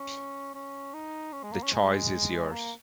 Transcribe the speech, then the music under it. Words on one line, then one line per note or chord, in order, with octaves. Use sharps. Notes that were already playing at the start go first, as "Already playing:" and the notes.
The choice is yours.
Already playing: C#4
C#4
D#4
C#4
G#3
A#3
C#4
G#3
A#3